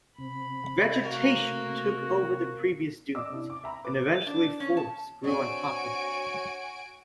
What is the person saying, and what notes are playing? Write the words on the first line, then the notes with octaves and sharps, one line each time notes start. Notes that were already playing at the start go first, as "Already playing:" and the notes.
Vegetation took over the previous dunes, and eventually forests grew on top of them.
C3 C4 B5
A3 F#4 A#4 F5
D5 D#5 D6 E6
C3 D4 E4
D6
E5 A#5 B5
B4 D6
D4
C#4
A5
C4 D4 F#4 C#5 G#5 D7